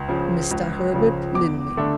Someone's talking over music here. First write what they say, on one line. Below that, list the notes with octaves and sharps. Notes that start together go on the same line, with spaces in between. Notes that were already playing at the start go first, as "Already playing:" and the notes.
Mr. Herbert Linley.
Already playing: C#2
C#3 F3
C#2
C#3 F3
E2 D6
D3 A3 D4